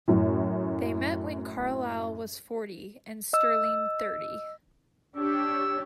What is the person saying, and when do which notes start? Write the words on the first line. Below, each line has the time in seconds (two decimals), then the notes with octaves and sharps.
They met when Carlyle was forty, and Sterling thirty.
0.08 F#2 A2
3.33 D#5 E6
5.17 D4 G4 C#5 E6